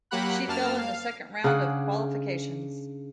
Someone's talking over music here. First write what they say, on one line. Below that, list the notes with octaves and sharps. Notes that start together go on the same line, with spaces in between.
She fell in the second round of qualifications.
F#3 A#3 G4 F#5 B5 F#6
F#2 A#3 A5 F6
F5
C#3 D4 G#4 F#5